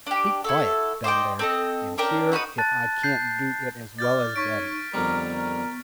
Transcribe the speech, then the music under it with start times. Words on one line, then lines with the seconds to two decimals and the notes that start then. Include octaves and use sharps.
Be quiet, down there, and hear if I can't do it as well as daddy.'
0.06 D4 G4
0.44 E4 F#4 A4
1.04 C5 D5 D#5 G5
1.39 C4 A4 D#5
1.98 C#4 D4 A#4 G5
2.32 D#4 F#4 B4 D#6
2.58 A5 F#6 A6
3.03 G6 C7
3.99 D5 F6 G6 A6
4.36 D#4 C#5 C#6 B6 D7
4.94 F2 D3 G3 B3 A#4
5.29 A#4